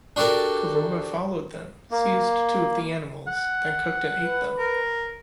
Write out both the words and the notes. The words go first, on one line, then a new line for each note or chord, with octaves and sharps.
Karora followed them, seized two of the animals, then cooked and ate them.
D4 F#4 G4 A4 A#4
A#3
F#5
B4
A#4